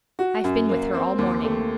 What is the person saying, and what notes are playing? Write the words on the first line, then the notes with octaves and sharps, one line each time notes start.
I've been with her all morning.'
F#4
F#2
A#3
C4
D#2
A3